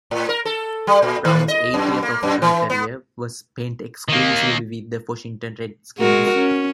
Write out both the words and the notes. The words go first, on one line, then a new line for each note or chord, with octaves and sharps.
Brown's eight-year professional career was spent exclusively with the Washington Redskins.
A2
A#4
A4
G3
A#2
D#3
D#5
F#2
A#3
F#2
E3
B3
D#3 A#3
G#3 F#4 A#4
C#4